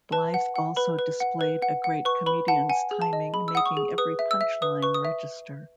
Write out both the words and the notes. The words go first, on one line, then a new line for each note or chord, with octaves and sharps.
Blythe also displayed a great comedian's timing making every punch line register.
B4 A5
F#5
F#5
B4 B5
B4
F#5
B4
F#5
F#5
B4 C#6
B4 B5
F#5 A5
F#5 G#5
G#4
A5
D#5
G#4 B5
E6
F#5 D#6
C#6
G#4
B4 D#6
E5
E6
E5
B4 D#6
B4 C#6
D#6
E5